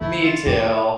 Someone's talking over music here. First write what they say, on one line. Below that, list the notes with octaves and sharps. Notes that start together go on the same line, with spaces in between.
Me too.
D3 A3 E4
F4
D3 G4